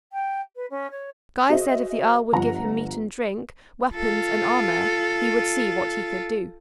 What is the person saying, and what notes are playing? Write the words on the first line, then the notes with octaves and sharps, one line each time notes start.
Guy said if the earl would give him meat and drink, weapons and armor, he would see what he could do.
G5
B4
C#4
C#5
F#4 G#4 C5 D#5 E5
G1 F3 F#5 A#5
F4 A4